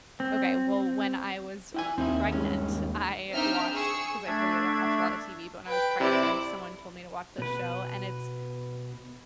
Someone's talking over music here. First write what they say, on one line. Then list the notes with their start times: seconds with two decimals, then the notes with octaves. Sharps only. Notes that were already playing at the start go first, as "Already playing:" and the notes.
Okay, well, when I was pregnant, I watched 'cause I told you, I don't watch a lot of TV, but when I was pregnant, my someone told me to watch this show, and it's
0.20 C4
1.74 E4 G5 G#5
1.98 D#2 C4 D#4 E4
2.32 G2 G#3 C#4
3.32 C4 D4 D#4 E5 G5 F6
3.72 G#4 C#6 E6
4.27 A3 D4 E5 G#6
5.66 B4 G5
6.00 C3 E4 D5
7.38 B2 B4